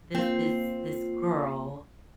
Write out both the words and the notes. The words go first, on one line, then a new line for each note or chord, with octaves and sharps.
this this this girl,
A#3 C4 F4